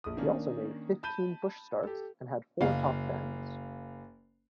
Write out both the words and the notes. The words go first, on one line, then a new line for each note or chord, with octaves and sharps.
He also made fifteen Busch starts and had four top-tens.
A#1 D#6
D#3 A#3 C#4 D4
A5 B5 G6 D#7 G7
G4 A4
F#1 F5